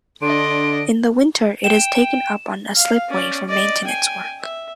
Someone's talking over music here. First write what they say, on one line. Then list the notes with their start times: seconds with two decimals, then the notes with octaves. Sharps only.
In the winter it is taken up on a slipway for maintenance work.
0.22 D3 D4 D#5 C6 D7
1.64 G5 E7
2.76 F5
3.09 C#4 D5
3.48 D5 D#5
3.84 G5 G#5
4.42 E5